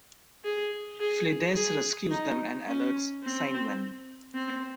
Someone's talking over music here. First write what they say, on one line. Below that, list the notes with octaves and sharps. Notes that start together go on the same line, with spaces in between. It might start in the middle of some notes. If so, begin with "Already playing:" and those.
Flidais rescues them and alerts Ceinwen.
G#4
G#4
G#4
D#4
C#4
C4
C4